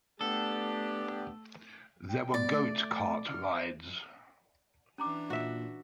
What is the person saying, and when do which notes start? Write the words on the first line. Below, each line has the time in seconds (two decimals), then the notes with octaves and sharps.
There were goat cart rides.
0.21 A3 B3 D4 G4 A4
2.09 G5
2.34 B3 D5
2.51 A3
3.27 F6
3.53 C5
4.98 E3 C#4 D4 A#5 D6
5.30 A#2 F#4 E5